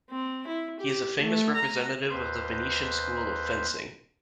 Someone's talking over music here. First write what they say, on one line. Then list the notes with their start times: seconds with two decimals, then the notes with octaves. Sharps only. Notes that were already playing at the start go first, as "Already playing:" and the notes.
He is a famous representative of the Venetian school of fencing.
0.10 C4
0.47 E4
0.80 G4
1.21 A3
1.55 A#5
2.10 D#2 B4 C5 C6 G6